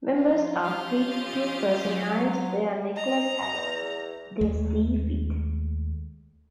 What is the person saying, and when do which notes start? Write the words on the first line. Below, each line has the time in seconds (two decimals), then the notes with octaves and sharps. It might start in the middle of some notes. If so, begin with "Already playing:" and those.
Members are free to personalize their necklace as they see fit.
0.11 F3 C#4 F4
0.62 G4 D#5 F5
1.85 F#3
2.96 D#5 A#5
3.53 E2
4.41 D#2 G#3 A3